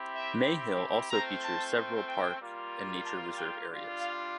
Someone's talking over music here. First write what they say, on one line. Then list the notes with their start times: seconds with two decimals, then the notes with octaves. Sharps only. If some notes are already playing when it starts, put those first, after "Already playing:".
Mayhill also features several park and nature reserve areas.
Already playing: C4 E4 G4
0.14 E5
1.11 A3 C4 F4 A#5
1.43 A5
2.07 G5
2.40 G3 A#3 F4
3.03 A5
3.36 G5
3.68 G3 D4 F4
4.00 F5